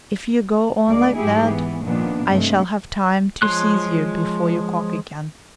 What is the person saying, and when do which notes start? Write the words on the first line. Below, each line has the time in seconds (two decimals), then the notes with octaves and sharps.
"If you go on like that, I shall have time to seize you before you cock again."
0.86 D2 G#3 A#3 D5
1.17 G#2 F#3 E4 G4 G#4
1.46 E3 B3
1.82 A#2 D#3 F3 B3 D4
2.26 G2 C3 G#3 A3
3.42 F3 G#3 C#5 C6 F#6